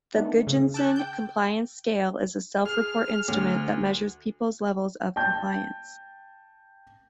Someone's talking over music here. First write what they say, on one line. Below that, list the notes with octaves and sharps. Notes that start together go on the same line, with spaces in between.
The Gudjonsson Compliance Scale is a self-report instrument that measures peoples' levels of compliance.
D#3 A3 B3 D4
C#3
A5 D6 E6 F#6 G6 A6
G5 G6
G#4 F6
D2
G5 A5 G6